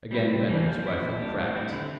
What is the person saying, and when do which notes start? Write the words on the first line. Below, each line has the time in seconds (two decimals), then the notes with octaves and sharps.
Again Ventnor's rifle cracked.
0.11 G3 C4 E4
0.29 C3
0.47 E3 G3 A#3 D4
0.66 F3
0.83 C4 E4
1.01 A#2
1.19 G3 D4
1.38 A2
1.55 G3 C4 E4
1.73 D3